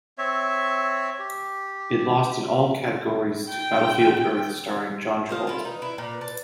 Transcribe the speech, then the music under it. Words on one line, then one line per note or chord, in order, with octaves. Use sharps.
It lost in all categories to "Battlefield Earth" starring John Travolta.
C4 C#5 E5
G4
G5
C5 D#5 F5
E4 F4 A4
D#4 B4
E4
A#2
A5